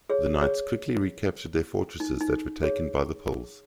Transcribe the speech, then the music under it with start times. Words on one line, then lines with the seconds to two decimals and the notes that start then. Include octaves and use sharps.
The Knights quickly recaptured their fortresses that were taken by the Poles.
0.10 G#4 C#5
0.41 G#4 C#5
2.00 D#4
2.21 D#4
2.63 G#4 C#5
3.26 G#4